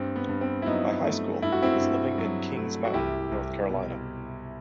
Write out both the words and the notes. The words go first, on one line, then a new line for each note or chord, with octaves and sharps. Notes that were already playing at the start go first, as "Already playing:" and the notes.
By high school, he was living in Kings Mountain, North Carolina.
Already playing: G2 C4
B3
G2
C4
E4
F#3 B3 D#4
A3
G2 E4
F#4
C4 E4
G2
F#3
A3
F#4
C2 E4 G4
C2
B2